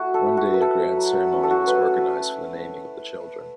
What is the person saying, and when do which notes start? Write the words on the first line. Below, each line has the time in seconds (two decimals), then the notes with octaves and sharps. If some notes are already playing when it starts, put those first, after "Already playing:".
One day, a grand ceremony was organized for the naming of the children.
Already playing: A3 E4 F#4
0.14 A4
0.26 E4
0.37 F#4
0.54 B4
0.61 E4 A4
0.97 F#3
1.32 C#4
1.43 A4
1.50 F#4
1.67 A3 B4